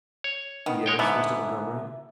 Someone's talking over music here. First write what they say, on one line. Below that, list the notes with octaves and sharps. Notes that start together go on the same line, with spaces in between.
"Yes, Mr. Montgomery?"
C#5
D#3 B3
G#3 C#5 G5
G#2 D3 B3 E4